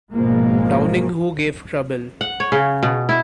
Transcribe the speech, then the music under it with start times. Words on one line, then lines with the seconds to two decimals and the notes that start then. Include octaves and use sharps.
Downing who gave trouble.
0.14 G#1 B2 F3 G#3 A#3
2.21 F#5
2.40 C#5
2.52 C#3
2.83 B2
3.09 E4